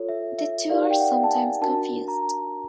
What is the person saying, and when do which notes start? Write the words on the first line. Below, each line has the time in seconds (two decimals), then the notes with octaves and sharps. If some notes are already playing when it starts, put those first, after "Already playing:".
The two are sometimes confused.
Already playing: F4 A4 C#5
0.09 E5
0.38 E5
0.69 D#4 G4 A#4 D5 F5
0.90 G5
1.00 F#5
1.24 A5
1.31 G#5
1.61 D4 F#4 A#4 A5
2.08 A#5